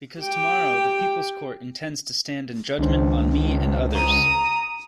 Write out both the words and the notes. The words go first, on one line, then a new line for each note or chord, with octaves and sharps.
Because tomorrow the People's Court intends to stand in judgment on me and others.
G4 G5
C#2 D#3 D4 C5
A#5 D#6